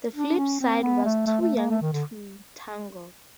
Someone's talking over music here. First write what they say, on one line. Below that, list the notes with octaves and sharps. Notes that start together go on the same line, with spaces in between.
The flip side was Too Young to Tango.
D4
C#4
C4
B3
A3
A3
A3
A#3
A3
D#3
D3